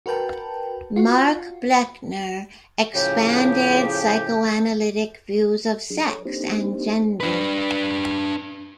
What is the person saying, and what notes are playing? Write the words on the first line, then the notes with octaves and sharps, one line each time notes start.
Mark Blechner expanded psychoanalytic views of sex and gender.
F#4 A#4 B4 G5 A5
F4 F#4
A2 C#3 F3 G4
F#3 D4 G#4
A4 C#5
A#3 C4 D4 D#4 G4 C5
D4 B4